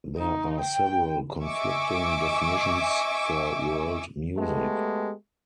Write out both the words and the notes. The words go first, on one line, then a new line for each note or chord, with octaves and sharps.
There are several conflicting definitions for world music.
D#4
G5
D#5 E5 G#5 C#6 D6 E6
G#3 A3 B3 G4 A4